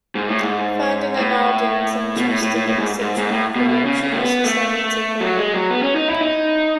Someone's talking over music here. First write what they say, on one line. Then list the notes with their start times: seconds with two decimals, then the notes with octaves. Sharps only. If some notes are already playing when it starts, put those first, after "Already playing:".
Finding an audience interested in such an approach, the Society grew.
0.15 G#2
0.29 A2
0.41 G#2
1.16 A2
2.18 B2
2.29 A2
2.42 A2
2.55 A2
2.67 A2
2.78 G#2
3.01 G#2
3.18 G#2
3.31 A2
3.56 B2
3.69 B2
3.85 C#3
4.03 C#3
4.12 A3
4.19 B3
4.44 A3
5.20 F#3
5.37 G#3
5.54 F#3
5.70 B3
5.83 C#4
5.96 D#4
6.08 E4
6.21 D#4